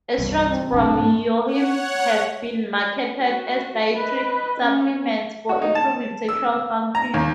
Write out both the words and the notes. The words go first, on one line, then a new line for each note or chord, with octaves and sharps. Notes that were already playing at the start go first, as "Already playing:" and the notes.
Extracts from yohimbe have been marketed as dietary supplements for improving sexual function.
C2 G2
C4
F#1 B1 C3 D4
C2 G#2
A3
C#5 F#5
F#4
B4 D#5
C#4
F#4
D#4
A5
E6
A#5
D#2